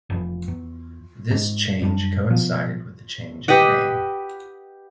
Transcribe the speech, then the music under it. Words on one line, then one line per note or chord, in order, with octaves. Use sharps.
This change coincided with the change in name.
F1 F2 E3
E2
G#2
F#2 G3 D4
B2 F3
G4 B4 D#5 F#5